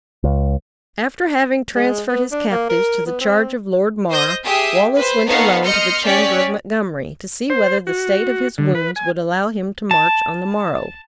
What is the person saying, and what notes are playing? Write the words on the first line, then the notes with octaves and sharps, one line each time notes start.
After having transferred his captives to the charge of Lord Mar, Wallace went alone to the chamber of Montgomery, to see whether the state of his wounds would allow him to march on the morrow.
C#2
G#3
B3
D4
A#3
A#4
B3
C4
C5 D#5 D#6 G6 A#6
G4 G#4 E5 D#6
B4 C5
B3 D#4 A4 C#5 F5 F#5
D#5 C6 F6 G6 C#7
C#4 G4 C#5 D5 B6
C5
F#4
D3
B4
G#5
A5